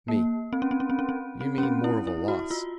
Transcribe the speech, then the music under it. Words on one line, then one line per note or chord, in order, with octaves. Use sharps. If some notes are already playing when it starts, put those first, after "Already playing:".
ME: You mean more of a loss.
A#3
C4
C#4
C4
C#4
C4
C#4
C4
C4
C#4
C4
E4
E4
F#4
F4